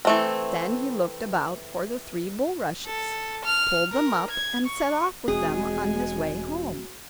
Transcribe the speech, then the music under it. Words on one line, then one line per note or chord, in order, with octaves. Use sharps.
Then he looked about for the three bulrushes, pulled them up and set off with them on his way home.
E3 A3 C4
A4
F6
A#4
G#6
C#6
E1 G#3 C4 F#4 G#4 G#5